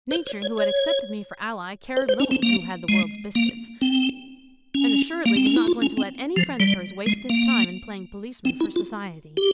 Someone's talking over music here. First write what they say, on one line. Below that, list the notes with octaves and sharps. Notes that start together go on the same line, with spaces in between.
Nature, who had accepted me for ally, cared little who had the world's biscuits, and assuredly was not going to let any friend of hers waste his time in playing policeman for Society.
C5
C#5
C#5
C#5
C5
C5
C#4
C4
A#3
G#3
A#3
C4
C#4
A#3
C4
C#4
E4
F4
C#4
C4
F3
G3
G#3
A#3
C4
E4
F4
G4